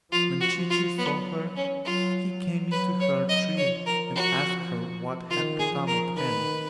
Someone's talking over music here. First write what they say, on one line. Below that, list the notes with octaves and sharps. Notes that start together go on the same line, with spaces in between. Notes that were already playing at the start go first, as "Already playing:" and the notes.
When Chee-Chee saw her, he came into her tree and asked her what had become of him.
F3 F4
F#4
F3
F4
F#3 B3
C#4
F#3 F4
F#3
F#3 B4
C#5
F#3
D#5
F3 C#5
A#4
F#4
D#3 F4
G#4
F3
A#4
D#3 B4